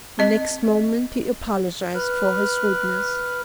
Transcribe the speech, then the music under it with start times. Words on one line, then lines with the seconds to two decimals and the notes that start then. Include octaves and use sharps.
The next moment he apologized for his rudeness.
0.19 C4 D#5
1.95 B4 F6 F#6